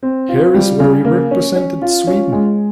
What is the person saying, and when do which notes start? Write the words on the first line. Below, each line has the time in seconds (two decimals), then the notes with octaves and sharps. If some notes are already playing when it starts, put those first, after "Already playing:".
Here is where he represented Sweden.
0.03 C4
0.29 F4
0.54 G3
0.80 C#3
1.05 A#3
1.31 C#4
1.56 C#4
1.82 F4
2.07 C#4
2.32 G#3